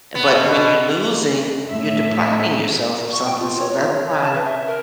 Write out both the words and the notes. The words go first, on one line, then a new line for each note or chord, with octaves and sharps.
But when you're losing, you're depriving yourself of something, so that's why
B3
B2
A2 E5
C#6
G5
F4
C#5
C#5
C#5
C#5
A5
B4
E5
A#4